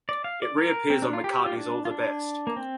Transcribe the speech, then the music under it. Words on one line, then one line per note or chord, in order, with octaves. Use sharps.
It reappears on McCartney's All the Best!
D5
F5
D5
A#4
C4
D4
F4
G4
F4
D4
F4
D4
A#3
C4